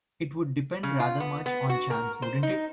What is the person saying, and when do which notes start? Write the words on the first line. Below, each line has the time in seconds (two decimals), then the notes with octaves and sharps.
It would depend rather much on chance, wouldn't it?
0.83 C#3
1.00 F4
1.20 B3
1.46 B3
1.70 F#4
1.90 A#4
2.22 C5
2.43 D#4